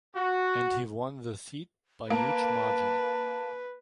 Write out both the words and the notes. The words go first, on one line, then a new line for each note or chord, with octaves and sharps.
And he won the seat by huge margin.
F#4
A#3 B4 A5